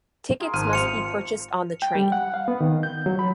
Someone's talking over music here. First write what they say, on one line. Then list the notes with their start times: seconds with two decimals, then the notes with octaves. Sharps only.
Tickets must be purchased on the train.
0.40 F4 G#4 A#4
0.53 G#1 F3 F6 D#7
0.73 G#2 C3 F3 C#7 F7
1.82 G5
1.95 G3
2.12 F#5
2.34 F5
2.48 B3
2.61 D#3
2.83 G6
3.06 F#3
3.19 B5